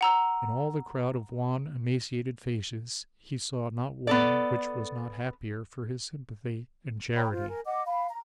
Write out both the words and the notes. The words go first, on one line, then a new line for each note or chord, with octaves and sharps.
In all the crowd of wan, emaciated faces, he saw not one which was not happier for his sympathy and charity.
F#5 A#5 E6
B3 A4 D5
C#5 G5 A#5 B5
F4 C5
A#4 G#5
D#5 F#5 D6
F5 B5
A#5